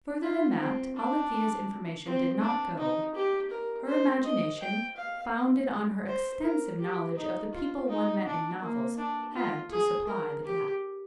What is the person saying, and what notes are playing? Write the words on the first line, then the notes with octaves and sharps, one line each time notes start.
Further than that Alethia's information did not go; her imagination, founded on her extensive knowledge of the people one met in novels, had to supply the gaps.
F4
C4
D4
C4
D4
D#4
G4
A#4
C5
D#5
G5
F5
C5
A#4
G4
D#4
F4
D#4
D4
A#3
D4
F4
G#4
A#4
G4